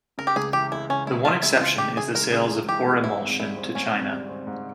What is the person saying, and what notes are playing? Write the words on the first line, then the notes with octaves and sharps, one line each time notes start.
The one exception is the sales of Orimulsion to China.
C#3 A#4
G4
C#2 G#4
E3 G4
G#3 E4
C#3 C#4
C#2 E4
E3 F4
G#3 E4
C#3 F4
C#2 G4
E3 G#4
G#3 A#4
C#3 G#4
C#2
E3 G4
G#3
G#2 E4
G#1
G3 E4
C4
G#2 C#4
G#1
G3
C4
G#2